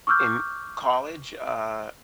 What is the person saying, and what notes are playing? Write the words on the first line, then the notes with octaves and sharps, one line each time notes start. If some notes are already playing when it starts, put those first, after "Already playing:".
in college, uh,
C#6 D6 E6 F6 G6